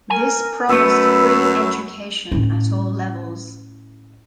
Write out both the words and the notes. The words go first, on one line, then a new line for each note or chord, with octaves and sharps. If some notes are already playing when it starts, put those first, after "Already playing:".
This promised free education at all levels.
A#4 G#5
F#2 A3 B3 B4 E6
A2 C#4